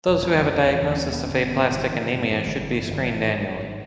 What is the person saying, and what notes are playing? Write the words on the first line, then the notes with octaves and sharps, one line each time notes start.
Those who have a diagnosis of aplastic anemia should be screened annually.
E1
E1
E1 G3
E1
E3
E1
D#2 E3
D#2 C#4
E1 B3
G1 C#4
G1
B3
G1
G1 E3
G2
D#3
G2
G2
G2 E3
G1 G3
G1 E3
G2 D#3
E3
G1 G3
G#1 E3
G#2
D#3
G#1
G#2